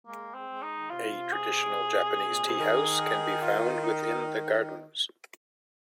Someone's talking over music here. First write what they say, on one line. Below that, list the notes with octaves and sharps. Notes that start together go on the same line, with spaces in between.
A traditional Japanese tea house can be found within the gardens.
G#3 A#3
C4
G#3
D#4
D#3
C3 F4
G#4
A#2
C3
D#3
F4
D#4